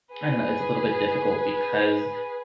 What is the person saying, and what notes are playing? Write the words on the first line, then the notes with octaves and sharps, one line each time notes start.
I don't know, it's a little bit difficult because
G#4 B4